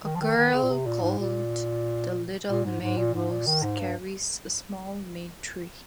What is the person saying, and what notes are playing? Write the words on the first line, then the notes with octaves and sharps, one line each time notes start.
A girl called the Little May Rose carries a small May-tree.
D#3
F3
D#3
D#3
C#3
A#2
C3
A#2
G#2
A#2
A#2
G#2
G#2
A#2
G#2
A#2
D#3
G#2
G2